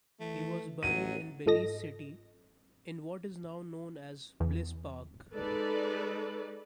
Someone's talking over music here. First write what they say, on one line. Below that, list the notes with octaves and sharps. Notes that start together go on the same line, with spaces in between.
He was buried in Belize City, in what is now known as Bliss Park.
E3 A3
A1 F#3 D#7
G#2 F4 A4 D#5 A#6
E2
G#3 D#4 A4 B4 D5